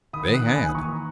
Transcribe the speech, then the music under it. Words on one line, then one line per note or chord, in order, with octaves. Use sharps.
They had.
D#3 B5 D#6
D#3 D#6 F#6
A#3
G#5 B5
D#3
D#6
E3 A#5 C#6
E3